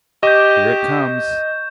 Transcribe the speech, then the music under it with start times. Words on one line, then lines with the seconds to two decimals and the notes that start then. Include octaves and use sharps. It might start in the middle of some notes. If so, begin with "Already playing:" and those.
Here it comes.
0.23 G4 D#5 C#6 G6